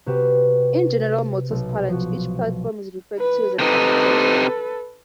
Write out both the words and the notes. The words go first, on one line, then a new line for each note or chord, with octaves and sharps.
In General Motors parlance, each platform is referred to as an "architecture".
C3 F#4 G4 B4 E7
B1
F3 F#4
B4
C3 D#4 A4 B4